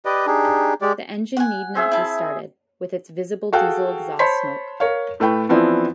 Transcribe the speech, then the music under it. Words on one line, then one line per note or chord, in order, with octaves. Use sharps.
The engine need not be started, with its visible diesel exhaust smoke.
G4 B4 D5 D#5
D4 D#4 G4 G#4
G#3 G4 D5
F#5 G#5
C4 G#4 E5
E4 A5
F#4 G#4 A4 F5 G5 F#6
C5 C#5 A5 B5 C6 B6
A#4 C#5 F5
A2 A3 B4 G5 B5
E3 F3 B3 C4 D4 E4